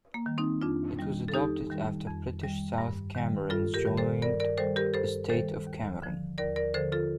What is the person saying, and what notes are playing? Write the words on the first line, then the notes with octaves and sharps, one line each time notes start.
It was adopted after British South Cameroon's joined the State of Cameroon.
A#3
D#3 G3
C4 D#4
F2 D4 F4
D#3 G3
A4
F2 D#4 G4
D#3 G3
F2
D#3 G3
G2
D#3 G3
G2 F4 A4
G4 A#4
D#3 G3
A4 C5
G2 A#4 D5
A#4 D5
D#3 G3 A4 C5
G4 A#4
G2 A4 C5
D#3 G3 A4 C5
D#2
D3 F3
D#2 A#4 D5
A#4 D5
D3 F3 A4 C5
F4 A4